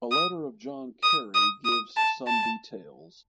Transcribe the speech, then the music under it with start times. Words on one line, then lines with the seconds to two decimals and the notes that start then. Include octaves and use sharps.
A letter of John Carey gives some details.
0.11 D#6
1.03 D#6
1.34 D#6
1.65 D#6
1.97 A5
2.27 A5